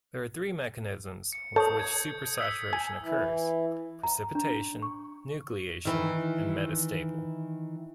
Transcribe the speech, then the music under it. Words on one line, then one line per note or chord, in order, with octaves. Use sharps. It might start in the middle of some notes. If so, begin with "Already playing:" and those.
There are three mechanisms with which supersaturation occurs: precipitation, nucleation, and metastable.
C#7
A4 C#5 D#6 G6
G#6
D#6 E6 B6
G#5
E3
A#5
D4
C#6
D#3 E3